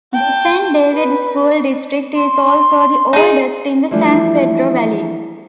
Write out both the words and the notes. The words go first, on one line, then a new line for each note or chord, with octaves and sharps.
The Saint David School District is also the oldest in the San Pedro Valley.
G5 A5
B4
C6
D#4 G#4
E3 F3 G3 A3 D4 F4